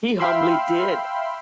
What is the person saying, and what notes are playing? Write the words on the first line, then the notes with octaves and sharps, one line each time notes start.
He humbly did.
E5 F5 G5 B5 C6 E6